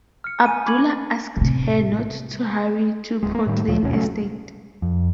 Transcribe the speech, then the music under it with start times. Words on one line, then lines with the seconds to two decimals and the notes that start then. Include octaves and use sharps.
Abdullah asked her not to hurry to proclaim a state.
0.24 F6 C#7
0.46 G#5 D#7
0.65 B5 C#6 D6 G#6 F#7
1.37 A1 C3
3.23 D1 G#3
3.35 A#3
3.47 A2 D#3 G3
3.68 D2 A#2 F3 F#3
3.82 G1 D#2 B2 C#4
3.95 C#3 F#3 A3 C#4
4.82 F2